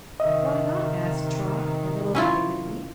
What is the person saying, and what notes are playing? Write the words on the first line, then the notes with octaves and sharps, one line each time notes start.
"Why not?" asked Trot, a little indignantly.
C3 D#3 D#5 E5
C#4 E4 F4